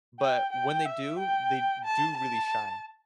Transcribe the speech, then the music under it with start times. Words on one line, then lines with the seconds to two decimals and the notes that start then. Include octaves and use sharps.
But when they do, they do really shine.
0.20 G5
0.53 G5
0.85 E5
1.19 G5
1.85 A5
2.17 A5